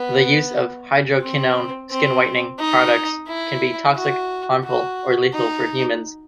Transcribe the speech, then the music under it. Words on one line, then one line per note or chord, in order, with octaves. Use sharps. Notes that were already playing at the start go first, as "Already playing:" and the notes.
The use of hydroquinone skin-whitening products can be toxic, harmful or lethal for humans.
Already playing: B3
C4
C4
D#4
E4
F#4
F#4
D#4